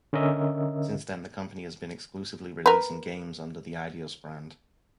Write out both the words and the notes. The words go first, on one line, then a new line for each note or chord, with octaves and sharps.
Since then the company has been exclusively releasing games under the Eidos brand.
D3 C#4 A#4 D#5 E5
A#4 B4